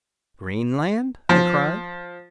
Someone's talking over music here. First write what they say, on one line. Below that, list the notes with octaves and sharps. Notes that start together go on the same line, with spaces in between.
"Greenland?" I cried.
F3